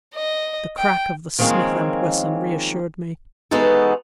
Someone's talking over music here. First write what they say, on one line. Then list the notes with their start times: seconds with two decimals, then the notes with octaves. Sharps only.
The crack of the Smith and Wesson reassured me.
0.15 D#5
0.78 G5
1.39 D#3 F3 G#3 A#3 C4 C#4
3.51 E3 G#3 B3 D#4 F#4 A4